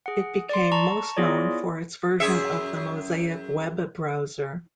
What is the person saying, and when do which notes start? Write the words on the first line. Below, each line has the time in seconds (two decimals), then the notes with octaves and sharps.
It became most known for its version of the Mosaic web browser.
0.06 G#4 F#5
0.49 D5 C6
0.72 A5 A#5 C#6
1.17 B3 E4 F4 G#4 C#5 D5
2.20 F#2 G#4 E5